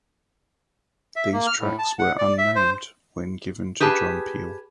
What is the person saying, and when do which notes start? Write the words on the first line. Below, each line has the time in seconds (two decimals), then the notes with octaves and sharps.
These tracks were unnamed when given to John Peel.
1.16 E5
1.33 A#3
1.47 F6
1.60 A2
1.79 A5
1.99 F#5
2.18 D5
2.38 E5
2.55 C5
3.80 G4 G#4 B4 A5